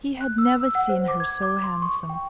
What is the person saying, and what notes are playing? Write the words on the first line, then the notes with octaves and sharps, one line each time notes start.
He had never seen her so handsome.
F#6
E6
E6
F#5
C5
D6
G#6
D6
C6
C#6
G5